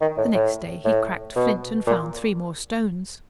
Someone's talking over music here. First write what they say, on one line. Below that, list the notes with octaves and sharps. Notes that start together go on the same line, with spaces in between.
The next day he cracked flint, and found three more stones.
D#3
A2
A2
A2
B2
A#2